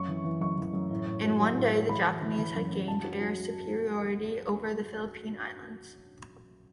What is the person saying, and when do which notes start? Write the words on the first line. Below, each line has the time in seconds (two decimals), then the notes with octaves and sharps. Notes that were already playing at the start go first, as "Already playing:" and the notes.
In one day, the Japanese had gained air superiority over the Philippine Islands.
Already playing: F#2 C#6
0.08 E3
0.24 E3
0.40 F#2 C#6
0.58 E3
0.73 F#2
0.91 A2
1.06 A2
1.24 F#3
1.40 F#3
1.56 A2
1.73 F#3
1.89 E3 B5
2.05 E3
2.22 E3
2.38 E3
2.55 F#2
2.72 F#2
2.88 F#3 A5
3.04 F#3
3.21 F#3